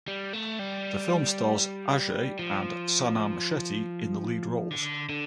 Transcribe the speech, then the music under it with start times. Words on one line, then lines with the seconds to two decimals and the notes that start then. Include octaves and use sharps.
The film stars Ajay and Sanam Shetty in the lead roles.
0.08 G3
0.33 A3
0.59 G3
2.39 F3
4.71 D3
5.09 D3